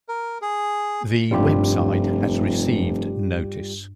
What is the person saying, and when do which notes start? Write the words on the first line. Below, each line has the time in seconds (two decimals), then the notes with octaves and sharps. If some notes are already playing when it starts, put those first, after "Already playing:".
The web site has received notice.
0.09 A#4
0.42 G#4
1.31 F1 G2 G3 D4 F4 G4